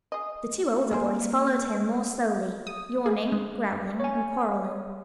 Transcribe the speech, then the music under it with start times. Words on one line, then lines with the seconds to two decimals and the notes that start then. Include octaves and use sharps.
The two older boys followed him more slowly, yawning, growling, and quarreling.
0.12 G#4 D#5
0.91 A#3 C#4 G#4 C5
2.67 D#6
3.06 G#4
3.32 G#3
4.00 C#5 G#5